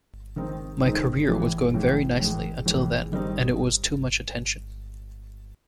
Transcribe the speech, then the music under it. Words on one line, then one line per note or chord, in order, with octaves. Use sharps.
My career was going very nicely until then, and it was too much attention.
D#3 G#3 C4 D#4
D#3 G#3 C4 D#4
A2 E3 G#3
A2 E3 G#3
A2 E3 G#3
A2 E3 G#3
D#3 G3 C4 D#4